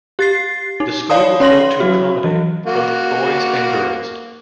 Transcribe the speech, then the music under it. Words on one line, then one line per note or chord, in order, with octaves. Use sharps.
The school was built to accommodate both boys and girls.
G4 A6 C7
D#4
C#5 D5 F5 A5 D#6
C#4 C#5 C6 A#6 F#7
F#3 F#4
E3
A#3 F#4